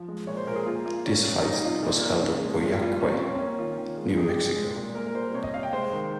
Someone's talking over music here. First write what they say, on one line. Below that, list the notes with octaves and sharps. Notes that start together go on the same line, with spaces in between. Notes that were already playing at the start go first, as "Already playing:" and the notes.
This fight was held at Pojoaque, New Mexico.
Already playing: F3
G#3
A#2 C#5
C5
A#2 A#4
G#4
A#3 F4
A#3 F4
G3 C#4
A#2
G3 D#4
C3 F4
A#2
A#3
C#3
G#3
A#2 F4
G3 F4
A#3 C#4
C4
A#3 C#4
C4
A#3 C#4
D#3 F4
D#3
G#3
C3 G#4
G4
G3 G#4
G#3
A#2
A#3 A#4
A#4
G3 C5
C3 C#5
D#5
C3 F5
G5
G#3 C5
D#3